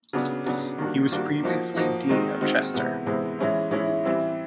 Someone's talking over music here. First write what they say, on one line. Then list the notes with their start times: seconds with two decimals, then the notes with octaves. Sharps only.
He was previously Dean of Chester.
0.13 C#3 F#3 B3 D4
0.46 C#3 F#3 B3 D4
0.78 D#3 G3 A#3 D4 F#4
1.12 D#3 G3 A#3 D4 F#4
1.43 F3 A#3 D#4 F#4
1.76 F3 A#3 D#4 F#4
2.09 D#3 G#3 C4 D#4 F#4
2.41 D#3 G#3 C4 D#4 F#4
2.74 C3 E3 G#3 B3
3.06 C3 E3 G#3 B3
3.39 E3 G#3 C#4 E4
3.71 E3 G#3 C#4 E4
4.04 E3 G3 C4 E4